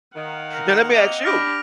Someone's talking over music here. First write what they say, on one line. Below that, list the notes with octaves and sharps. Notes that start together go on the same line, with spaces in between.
Now let me ask you.
D#3 F5 F#5
A#4
A#3 C4 D#5 F7
D4 G4 B5 F6 A#6 D7